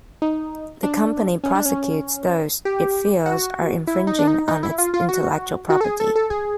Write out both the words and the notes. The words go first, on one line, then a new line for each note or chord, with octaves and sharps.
The company prosecutes those it feels are infringing on its intellectual property.
D#4
D4
C#4
D4
C#4
G4
F#4
E4
D#4
D4
D#4
D#4
E4
F4
F4
F#4
F#4
A4
G#4
A4
A4
G#4